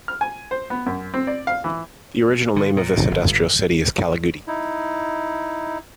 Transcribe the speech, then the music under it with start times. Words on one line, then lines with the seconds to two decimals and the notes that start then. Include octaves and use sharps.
The original name of this industrial city is Kallagudi.
0.08 F6
0.21 G#5
0.51 C5
0.70 B3
0.86 F#2
1.14 C4
1.27 D5
1.47 F5
1.64 E3
2.56 D3
2.77 A#2
3.11 G1
4.48 D#4 E4